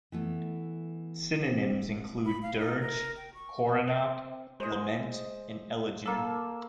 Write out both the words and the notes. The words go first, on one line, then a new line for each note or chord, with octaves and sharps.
Synonyms include "dirge", "coronach", "lament" and "elegy".
E3 A3 B3
C4
B5
F5
D#4
A#4
G5
C#6
C4
G#3 C5 D#5
A#3 A4 E6